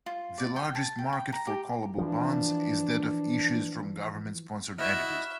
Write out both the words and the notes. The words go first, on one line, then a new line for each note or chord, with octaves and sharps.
The largest market for callable bonds is that of issues from government sponsored entities.
F4
D5
G5
A5
G5
G5
A#5
G4
E3 F3 D4
E4 F#4 D#5 E5 F6 F#6 E7